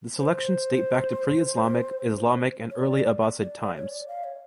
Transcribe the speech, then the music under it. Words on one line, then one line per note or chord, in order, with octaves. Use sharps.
The selections date back to pre-Islamic, Islamic and early 'Abbasid times.
C5
C#5
D5
D5
D5
C#5
D5
F5
C#5